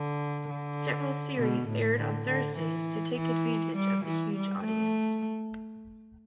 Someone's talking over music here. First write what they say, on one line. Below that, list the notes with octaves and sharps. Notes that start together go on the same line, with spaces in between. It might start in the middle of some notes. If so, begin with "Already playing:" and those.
Several series aired on Thursdays to take advantage of the huge audience.
Already playing: D3
D3
B2
A2
D3
D3
E3
E3
G3
E3
G3
A3